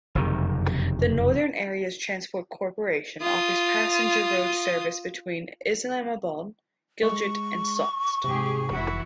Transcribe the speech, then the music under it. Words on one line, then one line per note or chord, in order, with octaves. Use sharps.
The Northern Areas Transport Corporation offers passenger road service between Islamabad, Gilgit and Sost.
F#1 F2 C3 D#3
F4 D#6
G#3 C#6
G#2 C3 G4 G#4
F1 E3 E4 F#4